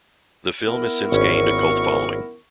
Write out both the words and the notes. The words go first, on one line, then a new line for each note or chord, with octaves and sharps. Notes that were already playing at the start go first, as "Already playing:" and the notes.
The film has since gained a cult following.
B3 E4 A#4
G#1 C#4 C#6